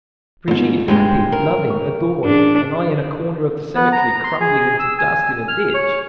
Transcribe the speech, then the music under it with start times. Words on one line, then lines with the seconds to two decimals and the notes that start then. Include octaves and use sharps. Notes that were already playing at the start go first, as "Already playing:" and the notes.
Brigitte happy, loving, adored, and I in a corner of the cemetery, crumbling into dust in a ditch!
0.48 E2 G#2 B2 F4
0.88 G2 G#3 G4 C5
1.32 A#4
1.70 C#6
2.25 A1 D4 G#4
3.76 B3
3.92 A#5
4.24 C6
4.41 G#4
4.79 E6
4.98 G#5
5.48 F6
5.74 C#5